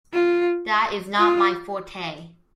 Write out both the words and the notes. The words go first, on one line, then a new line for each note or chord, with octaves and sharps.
That is not my forte.
F4
F4